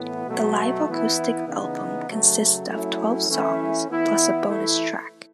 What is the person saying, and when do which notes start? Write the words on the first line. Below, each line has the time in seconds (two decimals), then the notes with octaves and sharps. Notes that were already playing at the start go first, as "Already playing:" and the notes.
The live acoustic album consist of twelve songs plus a bonus track.
Already playing: A2 E3 B3
0.27 B2 F#3 A3
0.88 E3 B3 E4
1.47 C#3 E3 B3 D#4
2.08 C#3 F#3 A3
2.68 F#3 A3 C#4 E4
3.28 E3 A3 C#4 E4
3.88 E3 B3 E4
4.47 E3 A3 E4